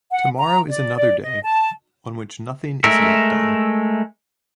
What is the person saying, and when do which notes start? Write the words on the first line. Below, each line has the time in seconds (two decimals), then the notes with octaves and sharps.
Tomorrow is another day on which nothing is yet done.
0.12 F#5
0.37 A#5
0.69 D5
0.95 D5
1.22 D#5
1.44 A5
2.84 G#3 A3 A#4 E5